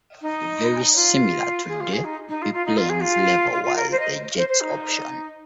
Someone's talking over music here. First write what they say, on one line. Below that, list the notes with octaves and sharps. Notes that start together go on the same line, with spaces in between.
Very similar to the Biplanes level, was the Jets option.
D#4
F4
G#4
F4
G#4
D#4
D#4
F4
F4
D#4
F4
G#4
F4
F4
F4
A#4
C5
D#5
C5
C5
D#4